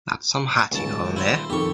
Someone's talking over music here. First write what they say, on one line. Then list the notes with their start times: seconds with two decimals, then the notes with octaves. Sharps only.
That's some hat you got on there.
0.72 D#1 C#2 A5
1.16 E4 C5
1.50 F2 D#3 G4 A4 C#6